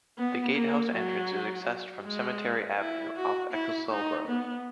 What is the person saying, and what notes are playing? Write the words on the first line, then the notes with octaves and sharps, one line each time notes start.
The Gatehouse entrance is accessed from Cemetery Avenue off Eccelsall Road.
B3
A#3
F#3
G#3
E4
F#4
E4
D#4
B3